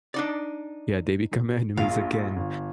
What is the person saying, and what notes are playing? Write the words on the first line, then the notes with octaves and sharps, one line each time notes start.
Yeah, they become enemies again.
D4 D#4 D5
A#1 F5
G1